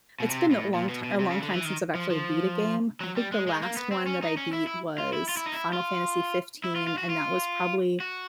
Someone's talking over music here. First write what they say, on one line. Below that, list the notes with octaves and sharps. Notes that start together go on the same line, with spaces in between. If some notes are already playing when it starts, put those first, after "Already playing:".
It's been a long ti a long time since I've actually beat a game, I think the last one that I beat was Final Fantasy XV, and that was probably
B2
C3
A2
A#2
B2
B2
C3
C#3
D3
E3
D#3
F3
F3
F#3
G3
G#3
G#3
A#3
B3
C4
C#4
D#4
C#4
E4
E4
F4
E4
F4
E4
D#4
E4
F4
E4
F4
F4
F#4
F4
F#4